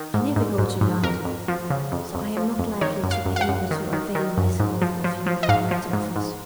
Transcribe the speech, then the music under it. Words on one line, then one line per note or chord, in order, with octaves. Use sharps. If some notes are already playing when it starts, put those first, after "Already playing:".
I never go to London; so I am not likely to be able to avail myself of your polite offers.'
Already playing: D#3
G#2
G#2
G#2
G#2
F2 A#4
F2
F3
C#3
F2
F2
F3
F2
D#3 C#5
F#2
F5
F#2
F5
F#5
F#2
D#3
D#3
D#3
F#2
G#2
F3
F3
F3
D#5
G#2 F5
F3
G#2
G#2